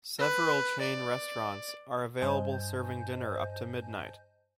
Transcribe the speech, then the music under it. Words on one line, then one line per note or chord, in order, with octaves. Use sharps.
Several chain restaurants are available serving dinner up to midnight.
B4
D5
G2 C5 D#5 G#5 A5 G6